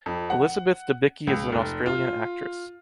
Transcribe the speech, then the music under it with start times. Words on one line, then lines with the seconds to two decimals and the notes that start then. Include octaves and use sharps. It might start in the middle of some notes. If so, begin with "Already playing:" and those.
Elizabeth Debicki is an Australian actress.
0.06 F2
0.30 F#5
1.27 C#2
1.52 F1
1.86 F4